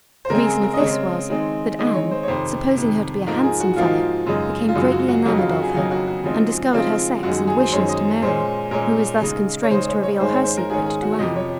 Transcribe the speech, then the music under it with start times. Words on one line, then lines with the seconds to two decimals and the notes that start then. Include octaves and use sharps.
The reason of this was, that Anne, supposing her to be a handsome fellow, became greatly enamored of her, and discovered her sex and wishes to Mary, who was thus constrained to reveal her secret to Anne.
0.25 C5
0.30 C#3 G#3 C4 A#4
0.46 G#4
0.63 A#4
0.74 D#5
0.80 C#3 G#3 C4 C#5
1.29 D#3 G#3 C4 D#4
1.79 D#3 G#3 C4 D#4 D#5
1.95 C#5
2.11 C5
2.23 C#5
2.28 F2 C3 D#3 C5
2.77 F2 C3 D#3
3.27 G#2 F3 A#3 D#4 A#4
3.43 G#4
3.60 F#4
3.76 G#2 F3 A#3 D#4 F4
4.26 F#2 C#3 G#3 D#4
4.69 F4
4.75 F#2 C#3 G#3 D#4 F#4
4.92 F#4
5.08 F#4
5.25 F2 C#3 F#3 A#3 D#4 F#4
5.38 F4
5.50 F#4
5.62 G#4
5.74 F2 C#3 F#3 A#3 D#4 F#4
5.91 F#4
6.07 F#4
6.24 C#3 F3 G#3 C4 D#4
6.73 C#3 F3 G#3 C4 D#4 F4
7.23 F#2 D#3 G#3 F#4
7.36 G#4
7.47 G#4
7.60 C5
7.72 F#2 D#3 G#3 C#5
7.89 D#5
8.22 A#2 G#3 C#4 C5
8.71 A#2 G#3 C#4 A#4
9.21 C#3 G#3 D#4
9.63 C#5
9.71 C#3 G#3 D#4 C5
9.87 C#5
10.03 C#5
10.20 G#2 D#3 G#3 C#4 C5
10.33 C#5
10.44 C5
10.57 A#4
10.70 G#2 D#3 G#3 C#4 G#4
10.86 G#4
11.02 F#4
11.19 F2 C3 F3 D#5
11.36 C#5